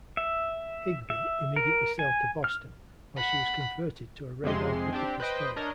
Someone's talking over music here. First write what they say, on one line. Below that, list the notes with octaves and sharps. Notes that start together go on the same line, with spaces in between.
"Higbee" immediately sailed to Boston, where she was converted to a radar picket destroyer.
E5
E5
A#4
G#5
F6
F#5 B5
F2 C3 G#3 C6
C4 D4 G4
B4 C5 D#5 G5
D4 A#4 C#5 D#5